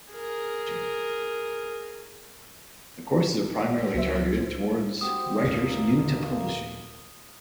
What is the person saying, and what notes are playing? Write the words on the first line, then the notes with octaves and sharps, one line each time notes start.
The courses are primarily targeted toward writers new to publishing.
G#4 A#4
C#2 F#3 A#3 C5 E5
C4 F#4 G4 D#6
A1 D#2 A#2 A#3